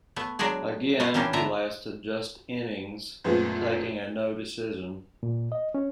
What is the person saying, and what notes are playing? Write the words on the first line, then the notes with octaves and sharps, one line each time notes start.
Again he lasted just innings, taking a no-decision.
A3 B3
F#3 G#3 D4 F#4 G#4
B3 F4 F#4
E3 G3 A#3 C#4 D4
D3 B3 A4 E5 A#5
F#2 A#2 F3 G#3 A3 B3
A#2
D#5
C#4